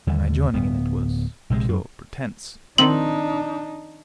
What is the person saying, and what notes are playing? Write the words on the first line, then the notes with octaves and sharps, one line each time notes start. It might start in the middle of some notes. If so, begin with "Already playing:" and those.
My joining in it was pure pretence.
D#2 D3 G3
D1 B3
A#1 C3 D#3 G#3
F#2
D#3 F3 C4 D4 D#4 F#7